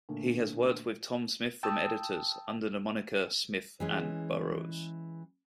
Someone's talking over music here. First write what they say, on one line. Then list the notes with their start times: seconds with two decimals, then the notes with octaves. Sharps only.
He has worked with Tom Smith from Editors under the moniker "Smith and Burrows".
0.09 A#2 D3 A3
1.63 G5 A5 D#6 E6
3.80 E3 G#3 C#4